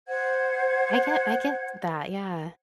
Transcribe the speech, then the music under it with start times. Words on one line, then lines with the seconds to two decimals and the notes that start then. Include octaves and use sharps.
I get I get that. Yeah.
0.07 C5 F#5 G#6